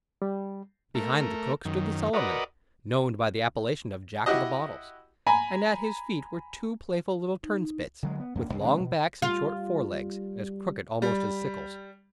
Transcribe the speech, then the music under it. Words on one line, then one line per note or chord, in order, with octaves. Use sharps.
Behind the cook stood the cellarman, known by the appellation of Jack of the Bottles, and at his feet were two playful little turnspits, with long backs, and short forelegs, as crooked almost as sickles.
G3
A3 A#4
F#2 D#3
F#4 A#4 B4 D5 D#5
E4 F#4 G4 D#5
G#5 A#5 B5
D#4
D3 F#3 G#3
B3
F2 A#3 D4
D#1 C2
C3 E3 G#3 D4
B2
G3 F4
G3